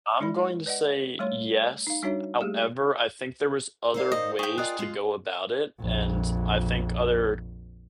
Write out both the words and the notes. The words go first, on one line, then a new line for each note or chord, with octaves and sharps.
I'm going to say yes, however, I think there was other ways to go about it, and I think other,
G#3 E4 D5 B5
B4 D5 D#5 F#5
G3 A3 C#5 C6
D#4 F5
G3 D4 D#4 F#4 C#5 E5
G3 A3 A#3 G4 G#4
D#4 A#4 C5 D5 F5
D#5
G#4 G5 C#6
F4 A#4 D5 D#5 D#6 F#6
G#3 F4
A#1 F2